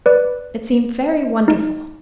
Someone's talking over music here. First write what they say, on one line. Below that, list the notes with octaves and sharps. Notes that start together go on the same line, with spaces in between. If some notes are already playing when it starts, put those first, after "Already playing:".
It seemed very wonderful!
B4 D5
D#4